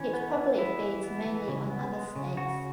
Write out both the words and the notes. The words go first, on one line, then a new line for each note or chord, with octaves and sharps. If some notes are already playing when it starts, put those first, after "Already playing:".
It probably feeds mainly on other snakes.
Already playing: E3 C#4
B3
E3
B3 E4
E3
B3
E3
C#3
B3
G#3
C#3
C#3 F#4